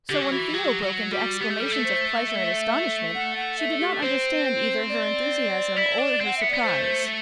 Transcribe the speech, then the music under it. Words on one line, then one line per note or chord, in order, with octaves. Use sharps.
So when Theo broke into exclamations of pleasure and astonishment, she did not understand either her enthusiasm or her surprise.
D3 G4
F#3
E3 F#4
F#3 G4
F#3
G3 F#4
B3 G4
A3
G3 A4
A3
C5
E5
F#5
F#5
E5
G4
C4 C5
D5
E4
D4
C4 F#5
B3 E5
B3 D5
A3 C5